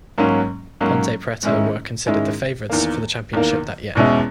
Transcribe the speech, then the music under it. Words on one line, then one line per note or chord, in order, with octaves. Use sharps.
Ponte Preta were considered the favorites for the championship that year.
G#2 F#3 A#3 C#4
G#2 F#3 A#3 C#4
G#2 D#3 G#3 C#4 E4
G#2 D#3 G#3 C#4 E4
E2 D#3 A#3
E2 D#3 A#3
E2 B2 G#3 C#4 E4